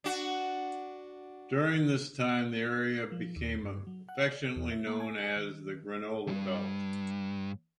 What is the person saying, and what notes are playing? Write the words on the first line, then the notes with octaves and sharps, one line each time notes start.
During this time, the area became affectionately known as "The Granola Belt".
D4 F#4
F3
D#2
G2
F#3
F#5
D5
E2
E5
A#3
G#5
D#3
E2 G2